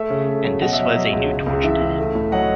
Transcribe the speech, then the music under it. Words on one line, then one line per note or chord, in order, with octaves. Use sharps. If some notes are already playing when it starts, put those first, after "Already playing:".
And this was a new torture to him.
Already playing: A3 E5
C#3
A3
F#3
B2 D#5 F#5
E5
F#3
D#5
F#3
C#2
C#3
C#2
E3 E5
C#2
A3
A2
F#3 D#5 F#5